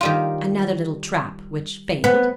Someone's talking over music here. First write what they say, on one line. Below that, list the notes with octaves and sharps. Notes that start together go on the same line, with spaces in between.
Another little trap which failed.
D#3 G3 F4
B3